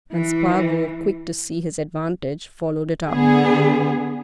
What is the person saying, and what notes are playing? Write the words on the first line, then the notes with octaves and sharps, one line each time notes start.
And Spargo, quick to see his advantage, followed it up.
E3
D3 B3 G#4